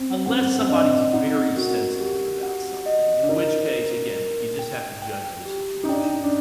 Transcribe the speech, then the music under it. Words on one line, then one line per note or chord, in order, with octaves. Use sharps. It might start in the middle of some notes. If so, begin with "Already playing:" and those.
unless somebody's very sensitive about something, in which case, again, you just have to judge the situation.
Already playing: C4
C4 F#5
C4
D4 D#5
D#4 F#5
F#4 A#4
G4
F#5
D#5
D4
D#4 A#4
A#4
A#4
G5
G5
G4
D#4
D4 G5
D4